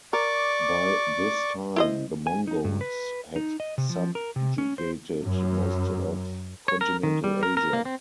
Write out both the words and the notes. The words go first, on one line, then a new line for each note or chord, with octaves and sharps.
By this time the Mongols had subjugated most of continental Asia.
A#4 D5 C#6 D6
E4 C5 D#5
G#5
D#4
G2
B4
D#4
D#5
C3
F3
A#4
C3
C#4
C5
F#2
C#5
A#4
D#3
G3
A#4
A#4
A#3
C4